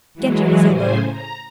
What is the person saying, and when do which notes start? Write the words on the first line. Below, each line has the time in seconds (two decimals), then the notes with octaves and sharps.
Genji was alone.
0.14 E3 F#3 G#3
0.67 A2 C#3 C5 G#5
1.10 A#5